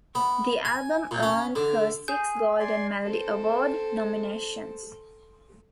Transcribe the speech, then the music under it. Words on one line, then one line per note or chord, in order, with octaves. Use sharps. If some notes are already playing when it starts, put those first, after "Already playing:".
The album earned her six Golden Melody Award nominations.
B3
G#5
A#2
C#4
D3
G#4 G6
D5 G#5 C6
C4 A4